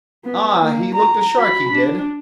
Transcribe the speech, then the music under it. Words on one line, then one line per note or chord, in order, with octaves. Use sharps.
Ah, he looked a shark, he did!
B3
A#3
A#5
F#4 B5
D4